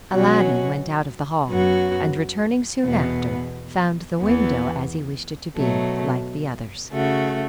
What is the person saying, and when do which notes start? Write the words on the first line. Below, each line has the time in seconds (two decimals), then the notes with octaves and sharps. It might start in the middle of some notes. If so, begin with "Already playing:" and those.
Aladdin went out of the hall, and returning soon after, found the window, as he wished it to be, like the others.
0.12 B2 F#3 C#4 F#4
1.47 F#2 F#3 B3 F#4
2.84 E2 B2 B3
4.19 E2 E3 B3
5.55 B2 F#3 A3
6.91 C#3 A3 F#4